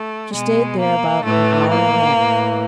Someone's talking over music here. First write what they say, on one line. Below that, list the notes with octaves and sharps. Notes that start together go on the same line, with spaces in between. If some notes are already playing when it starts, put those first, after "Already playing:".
She stayed there about an hour and a half.
Already playing: A3
B2 G#3
A#3
A2 E3 A3
A#3
A2 E3